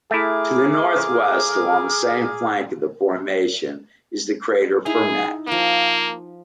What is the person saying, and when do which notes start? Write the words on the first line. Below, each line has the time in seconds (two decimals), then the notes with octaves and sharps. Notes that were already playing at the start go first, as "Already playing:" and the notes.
To the northwest along the same flank of the formation is the crater Fermat.
0.11 A3 E4 G#4 A#5 D6 F6
4.86 D#4 E4 G#4 A#5
5.47 F3 A#3 G5